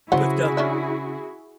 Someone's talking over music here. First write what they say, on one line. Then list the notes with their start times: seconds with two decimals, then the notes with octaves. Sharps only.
But, um
0.12 C#3 F#3 E4 F#4 G#4 C5 F#5
0.57 C#4 D4 E5